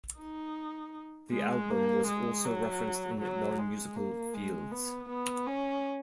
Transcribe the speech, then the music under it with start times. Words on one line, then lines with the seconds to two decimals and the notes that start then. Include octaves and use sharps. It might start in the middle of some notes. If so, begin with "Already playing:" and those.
The album was also referenced in non-musical fields.
0.19 D#4
1.32 G#3
1.70 A#3
2.07 G#3
2.45 F#3
3.21 F#3
3.59 G#3
3.96 A#3
4.34 G#3
4.72 B3
5.09 B3
5.47 C#4